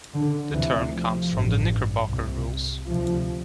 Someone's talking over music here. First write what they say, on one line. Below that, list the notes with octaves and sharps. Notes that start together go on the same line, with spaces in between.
The term comes from the Knickerbocker Rules.
D3
D2 C3 E3
F3
A1 G2
C2 C3
D2 C3 F3